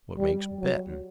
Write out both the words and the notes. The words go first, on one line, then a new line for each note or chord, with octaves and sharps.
What makes bettin'?
G3
F#3